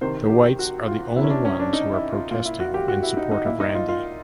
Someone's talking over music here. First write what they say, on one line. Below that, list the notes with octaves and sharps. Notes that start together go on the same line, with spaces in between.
The Whites are the only ones who are protesting in support of Randy.
C3 D#3 C5
G4
F#4
F4
C3 E3 E4
C#4
D4
C#4
D4
D#4
E4
F4
A#2 F4
E4
F#4
G4
F#4
E4
D#4
D#4
A#2 E4
D#4
F4
F4